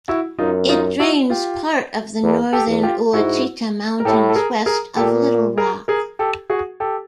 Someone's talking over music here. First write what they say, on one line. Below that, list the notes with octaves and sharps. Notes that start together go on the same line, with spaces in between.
It drains part of the northern Ouachita Mountains west of Little Rock.
E4 F#4
F#2 D#4 F4
D#4 F4
E4 F#4
F4 G4
E2
G4 A4
E2
F4 G4
G#2 E4 F#4
A#4
A2 G4 A4
A4
G#4 A#4
G#4 A#4
A#2 G4 A4
G#4 A#4
G#4 A#4
G4 A4
F#4 G#4
G4 A4